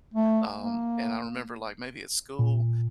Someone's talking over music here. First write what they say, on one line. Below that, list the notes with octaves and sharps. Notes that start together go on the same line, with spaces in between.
Um, and I remember, like, maybe at school,
A3
A#3
A#2